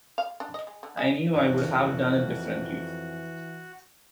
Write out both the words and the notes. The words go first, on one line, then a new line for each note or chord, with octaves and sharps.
I knew I would have done it differently.
F5
D4
D#5
G#3
D3
G#4
F2 G#2 E3 F#4 G#4 C#5